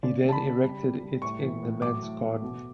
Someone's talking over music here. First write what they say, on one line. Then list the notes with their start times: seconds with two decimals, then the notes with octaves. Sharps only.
He then erected it in the manse garden.
0.03 C#3 D5
0.23 C#3
0.29 A5
0.32 B5
0.43 C#3
0.63 G3
0.83 G3
1.03 G3
1.22 A2 C#6
1.42 E3
1.63 A2
1.82 F#3 D6
2.02 A2
2.22 A2
2.42 B2